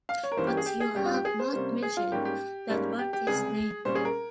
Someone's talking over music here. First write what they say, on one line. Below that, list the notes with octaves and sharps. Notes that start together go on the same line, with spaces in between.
But you have not mentioned that party's name.
F5
C#5
A#4
G2 E3 A#3 C#4 C5
G4
G#4
G4
G#4
G2 G3 C#4 G4
F4
G4
G#4
C5
C3 G3 A#3 C#4 C5
G#4
F4
G#2 G3 A#3 C#4 G4
G4
G#2 G3 A#3 C#4
G4
G4
C#2 C3 G3 G#4
A#2 G3 C#4 C5
G#4
A#4